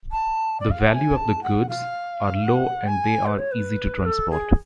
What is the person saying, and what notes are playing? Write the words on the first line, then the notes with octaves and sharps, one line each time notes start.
The value of the goods are low and they are easy to transport.
A5
D5
F5
F#5
A5
G#5
A5
F#5
F5
F#5
G#5
B4
C#5
B4
A4
G#4